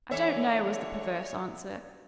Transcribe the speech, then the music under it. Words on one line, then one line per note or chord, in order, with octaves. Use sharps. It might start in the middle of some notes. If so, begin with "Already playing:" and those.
"I don't know," was the perverse answer.
D3 E3 C#5 E5